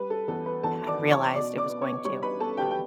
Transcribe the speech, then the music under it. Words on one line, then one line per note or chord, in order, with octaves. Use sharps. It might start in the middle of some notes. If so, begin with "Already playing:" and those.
had realized it was going to, um
Already playing: G3 B4
A4
E2 A4
B4
E2 A4 A5
D5 D6
E2
D6
C#5 C#6
B2 D5 D6
D5 D6
B3
C#5 C#6
G3 C#5 C#6
B4 B5
B3 A4 A5
G4 G5
G5